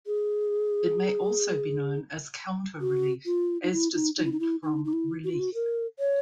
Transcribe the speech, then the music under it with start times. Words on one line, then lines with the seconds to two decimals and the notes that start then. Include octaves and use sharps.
It may also be known as counter-relief, as distinct from relief.
0.07 G#4
2.81 F#4
3.26 F4
3.63 D#4
3.72 E4
3.94 D#4
4.17 D#4
4.25 E4
4.32 D#4
4.40 E4
4.63 D#4
4.85 D#4
4.93 E4
5.24 F#4
5.32 F4
5.39 F#4
5.54 A#4
5.99 C#5